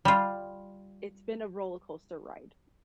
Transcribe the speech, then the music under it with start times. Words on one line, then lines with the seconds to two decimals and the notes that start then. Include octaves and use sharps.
it's been a roller coaster ride.
0.05 G3 F4